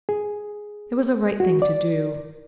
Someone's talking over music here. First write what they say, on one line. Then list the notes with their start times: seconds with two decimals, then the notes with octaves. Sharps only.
It was a right thing to do.
0.09 G#4
1.40 F#4
1.62 D5